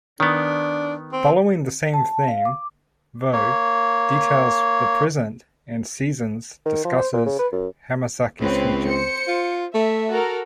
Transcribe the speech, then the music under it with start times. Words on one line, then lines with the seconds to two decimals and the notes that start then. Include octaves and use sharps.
Following the same theme, "Vogue" details the present and "Seasons" discusses Hamasaki's future.
0.20 D#3 B3 D4
1.12 C4
1.94 A5
2.28 F5
2.45 D6
3.33 A#3 C#5
6.66 D#3
6.84 F3
6.98 C5
7.14 A#2
7.26 C#3
7.39 B4
7.53 F#2
8.40 C#2 C4 B4 C#5
8.87 C5 C#7
9.28 F4
9.75 A3 E5
10.09 F#4 A4 A#4